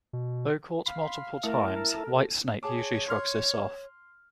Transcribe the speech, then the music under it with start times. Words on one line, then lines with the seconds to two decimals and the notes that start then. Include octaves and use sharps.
Though caught multiple times, White Snake usually shrugs this off.
0.13 B2
0.86 F5 B5 C6
1.43 A3 E4 A#4 E5 A5
1.94 A4
2.63 G#4 C#5 A5 D6
3.09 C6 F6